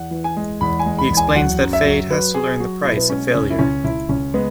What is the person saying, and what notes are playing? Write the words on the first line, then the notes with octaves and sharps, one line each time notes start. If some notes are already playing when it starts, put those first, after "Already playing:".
He explains that Feyd has to learn the price of failure.
Already playing: E2 F#5
E3
G#5
G#3
E2 B5
G#5
G#3
B5
E2
G#5
F#3 F#5
F#2
E5
F#3
F#3 B4
F#3 G#4
F#3 F#4
B2 E4
B3
G#3 C#4
C#2 C#4
E4
C#2 C#4
C#2 E4
C#2 C#4
G#3 B3